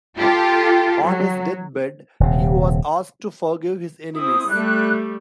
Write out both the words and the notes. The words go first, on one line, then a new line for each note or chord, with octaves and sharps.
On his deathbed, he was asked to forgive his enemies.
F4 G4 A4
F#3
D#1 C3
C4 E4 D#6
G3 A3 F#6